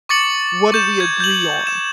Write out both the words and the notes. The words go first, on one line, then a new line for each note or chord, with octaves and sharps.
What do we agree on."
C#6 D6 A6 C#7 F#7
C#6 G6 E7
G6 G#6
G6 F#7
E7